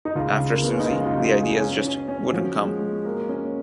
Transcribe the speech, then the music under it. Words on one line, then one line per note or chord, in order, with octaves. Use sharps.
After Suzie, the ideas just wouldn't come.
D#4
C#2 F4
C#3
A#3
C#3 B3
C#4
D#4
G#3 F4
F4
D#4 F#4
F4
G#3
G#4
C#4
C#4
C#4
F3 F#4
G#3
G#3
A#3
C#4